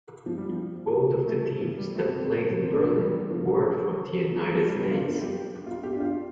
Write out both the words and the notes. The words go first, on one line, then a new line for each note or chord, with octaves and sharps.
Both of the teams that played in Berlin were from the United States.
F3
G3
F3
A3
F3
G3
A3
C4
C4
C4
D4
A3
G3
F3
F3
G3
F3
G3
F3
F4
D4
F4
G4
F4
G4
D4
F4